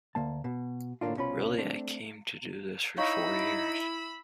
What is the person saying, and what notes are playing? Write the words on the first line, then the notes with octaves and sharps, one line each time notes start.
Really, I came to do this for four years.
D2 D3 A#3 A5
B2
A2 D3 G3 A#3 D4 F4
C2 B2 C#4 F4 B5
A3 C4 D4
D#4 E4 C#5 F5 B5 C#6 E6